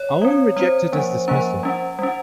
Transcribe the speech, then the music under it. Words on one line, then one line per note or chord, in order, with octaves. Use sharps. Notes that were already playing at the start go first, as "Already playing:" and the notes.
Aoun rejected his dismissal.
Already playing: C#5
G3 C4
G3 C4 C5
F3 A#3 C#4
F3 A#3 C#4 A#5
G3 C#4
G3 C#4